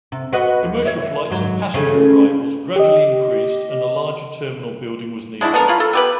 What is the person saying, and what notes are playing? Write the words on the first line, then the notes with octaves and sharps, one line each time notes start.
Commercial flights and passenger arrivals gradually increased and a larger terminal building was needed.
C3
F#4 B4 D#5
D#2
C#5 E5
G#2 F#3
C#3 A3 C#4
G4 D#5
G#3 D4 E4 F#4
B3 D4 A4 A#4
F4 C#5 B5
A4
B3 G4 B4